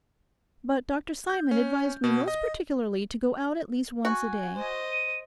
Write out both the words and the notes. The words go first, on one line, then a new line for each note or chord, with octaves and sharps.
But Dr Simon advised me most particularly to go out at least once a day.
G6
C#4
B2
D#5
F#4 G#5
C5 D#5
D#7